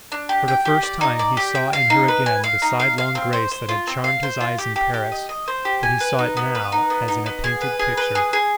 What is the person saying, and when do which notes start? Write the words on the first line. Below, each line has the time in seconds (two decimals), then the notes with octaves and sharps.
For the first time he saw in her again the sidelong grace that had charmed his eyes in Paris; but he saw it now as in a painted picture.
0.12 D4
0.29 G4
0.48 G5
0.65 G4
0.83 D5
1.01 D#4
1.19 D5
1.37 G4
1.55 G5
1.73 F5
1.90 D#4
2.08 B4
2.26 G#5
2.44 F5
2.62 D#4
2.80 F5
2.98 F5
3.15 C4
3.33 C5
3.51 C5
3.69 F4
3.87 C4
4.04 F5
4.23 C5
4.41 F4
4.58 G4
4.76 G4
4.94 G4
5.12 D#5
5.29 D#5
5.48 C5
5.65 G4
5.83 G#5
6.00 B4
6.19 D#4
6.37 B3
6.55 B4
6.72 D#4
6.90 B3
7.08 D#4
7.26 B3
7.44 G#4
7.61 B4
7.79 G#4
7.97 B4
8.15 G#4
8.33 G#4